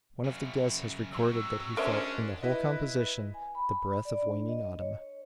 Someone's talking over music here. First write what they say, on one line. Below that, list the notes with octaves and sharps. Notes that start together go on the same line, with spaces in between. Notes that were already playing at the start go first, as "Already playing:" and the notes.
One of the guests has recorded that he felt in the whole composition the breath of waning autumn.
F#2 C#3
C3 F#3 E6
G#3 C#4 D4 A#4 C5 E5
E4 B4 D#5
G#5
B5
D5
D4
D#5
C#5